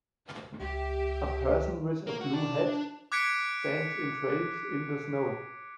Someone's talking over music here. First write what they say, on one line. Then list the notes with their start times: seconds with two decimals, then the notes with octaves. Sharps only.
A person with a blue hat stands in trails in the snow.
0.61 C#2 G4 E5
2.07 A#3
2.21 F#4
2.34 D4
3.12 D6 F#6 G#6 B6 C#7 D7